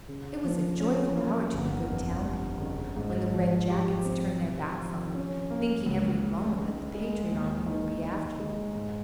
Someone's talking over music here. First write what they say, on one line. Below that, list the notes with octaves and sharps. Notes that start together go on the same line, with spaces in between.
It was a joyful hour to the good town people when the red-jackets turned their backs on them, thinking every moment that the patriot army would be after them.
C#3
F3
C#4
A#3
G1
F2
G3
C#3
G#2
F3
G4
C4
C3
F3
C#4
A#3
C#2
C#3
D#4
G#3
D#2
D#3
D#4
G#3
G#2